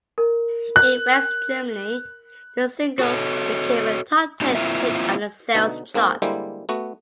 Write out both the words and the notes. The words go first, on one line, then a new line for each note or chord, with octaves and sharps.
In West Germany, the single became a top ten hit on the sales chart.
A#4
F#6
F#4 A4 C#5
A3 C4 D4 D#4 F#4
A#3 C4 E4 F4 A#4 E5
B2 D3 D#4
G#2 A#3 C4 A4
D3 G3 G#3 A#3 E4 C5
A3 B3 F#4